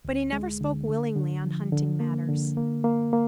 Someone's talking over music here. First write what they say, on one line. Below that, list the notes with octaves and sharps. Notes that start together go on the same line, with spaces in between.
But he never spoke willingly on hunting matters.
D2
G#3
D3
D3
D3
F3
D3
A#3
D3
A#3
A#3
A#3